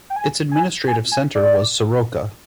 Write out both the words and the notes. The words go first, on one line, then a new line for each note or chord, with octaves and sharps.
Its administrative centre was Soroca.
G5
G#5
G#5
G#5
G#5
D5